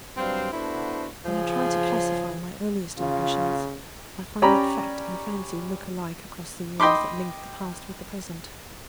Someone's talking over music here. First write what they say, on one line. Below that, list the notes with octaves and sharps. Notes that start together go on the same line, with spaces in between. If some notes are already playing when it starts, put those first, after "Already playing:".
When I try to classify my earliest impressions, I find that fact and fancy look alike across the years that link the past with the present.
G2 F#3 G3 C4 C5 F5
A3 B3 D4 E4 F#4 C5
C#3 F3 G#4
C#3 F4
C#4 G4 D5 A#5 B5
D#5 G5 B5 C6 D6